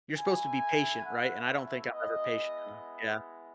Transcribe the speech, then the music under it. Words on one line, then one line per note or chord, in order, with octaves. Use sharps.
You're supposed to be patient, right, and I don't think I'm ever patient enough, yeah.
A3 E4 G#5
F#5
E5
G#3 B3 E4 D#5